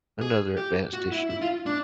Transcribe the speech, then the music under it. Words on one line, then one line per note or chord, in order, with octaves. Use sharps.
another advanced issue,
G#4
G4
F#4
E4
E4
F4
D4